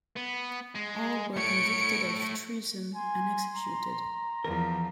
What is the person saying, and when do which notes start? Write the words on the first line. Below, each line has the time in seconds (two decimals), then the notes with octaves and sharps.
All were convicted of treason and executed.
0.16 B3
0.75 G#3
1.37 A3 C#5 C#7 D7
2.95 G#5 C6
3.55 A#5
4.44 E2 F3 A#4